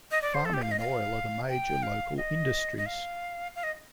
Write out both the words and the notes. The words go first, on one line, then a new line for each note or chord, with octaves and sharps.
Farming and oil are the major local industries.
D#5
D5
C5
A4
G4
F5
D#5
F5
G5
F5
D#5
D#5
F5
F5
D#5